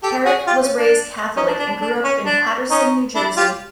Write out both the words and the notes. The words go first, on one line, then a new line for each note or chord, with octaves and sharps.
Kerik was raised Catholic and grew up in Paterson, New Jersey.
G4 A4
F#4 G#4
F4 G4
C#4
D4
C#4 D#4
D4
D4
D4
D4
C#4
D4
C#4 D#4
D4 E4
F4 G4